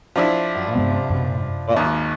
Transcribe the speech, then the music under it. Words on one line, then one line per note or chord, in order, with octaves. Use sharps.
Oh, well
F3 D4 E4
G2 G#3 B3
F#2 C3
G#1 D#2